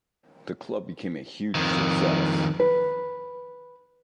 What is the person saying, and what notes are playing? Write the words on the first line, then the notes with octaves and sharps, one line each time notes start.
The club became a huge success.
F2 D#3
B4